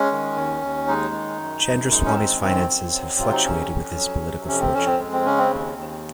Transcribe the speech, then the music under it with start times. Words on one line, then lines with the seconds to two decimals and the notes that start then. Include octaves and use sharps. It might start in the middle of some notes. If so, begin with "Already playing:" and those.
Chandraswami's finances have fluctuated with his political fortune.
Already playing: G#3 C#4
0.12 D#3
0.36 D#2
0.62 D#2
0.88 G#3 D#4
1.14 D#3
1.40 F#2
1.66 F#2
1.91 G#3 D#4
2.06 C#4
2.16 D#3 C4
2.42 F#2 C4
2.68 F#2
2.93 F#3
3.19 C3 F4
3.32 D#4
3.45 F2 C#4
3.70 F2
3.96 F#3
4.22 C3
4.48 F2 C#4
4.61 C4
4.74 F2 C#4
4.86 C4
4.99 G#3
5.13 C4
5.25 C#3 C#4
5.38 C4
5.51 D#2
5.77 D#2